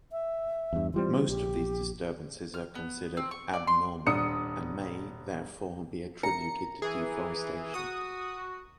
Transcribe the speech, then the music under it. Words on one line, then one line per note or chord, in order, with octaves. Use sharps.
Most of these disturbances are considered abnormal and may, therefore, be attributed to deforestation.
E5
E2 G2
E3 G3 C4 F4
A#1 G4
F6
B3
C4
C#6
D5
C6
D#1 D4 D#6 C#7
A#5 C#7
E3 G#4
F#4 D#6